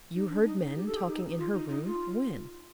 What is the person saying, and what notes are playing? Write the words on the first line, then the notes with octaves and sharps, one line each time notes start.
"You heard men talking in her room--when?"
D#4
D4
D#4
D#4
G4
A4
G4
D#4
F4
D#4
D#4
F4